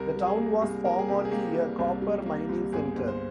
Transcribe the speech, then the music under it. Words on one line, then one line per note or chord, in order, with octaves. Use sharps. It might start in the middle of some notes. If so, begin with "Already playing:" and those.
The town was formerly a copper-mining center.
Already playing: C2 A#4
G3
G#4
A#3
C2 G#4
A#3 A#4
G#4
C3 G4
G#4
A#3 G4
G3
C2
G3
A#3
C2
G1 G#4
G1
C5